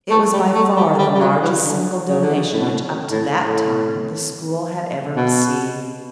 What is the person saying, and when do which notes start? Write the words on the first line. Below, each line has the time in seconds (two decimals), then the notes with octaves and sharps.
It was by far the largest single donation which up to that time the school had ever received.
0.11 A3
0.33 G3
0.55 A3
0.76 G3
0.98 G3
1.14 G3
1.21 F#3
1.42 E3
1.65 D3
2.09 C#3
2.21 D3
2.34 C#3
2.53 A2
2.61 B2
2.70 A2
3.11 A2
3.41 A2
5.16 B2